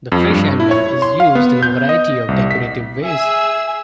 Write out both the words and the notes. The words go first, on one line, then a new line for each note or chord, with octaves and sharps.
The fish emblem is used in a variety of decorative ways.
F2
G2
E4
C#5
C6
F5
B3
G6
D#5
C2
B6
G#4 E5 E6